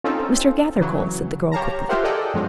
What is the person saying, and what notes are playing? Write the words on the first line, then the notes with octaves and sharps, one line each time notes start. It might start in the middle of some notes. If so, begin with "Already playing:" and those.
"Mr. Gathercole," said the girl quickly.
C4 C#4 D#4 F4 A4
C#3 E3 F#3
G4 C#5 F5 A5 A#5
F4 G4 A#4 C5 E5 F#5
G#4 A4 D5 D#5 F#5 G5
G2 B2 F3 G#3 C#4